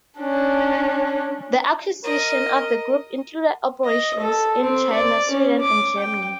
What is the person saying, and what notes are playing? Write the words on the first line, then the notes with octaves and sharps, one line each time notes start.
The acquisition of the group included operations in China, Sweden and Germany.
C#4 D4
A#4 D#5
D#5
A4
C4
D5
C#4
D6
G5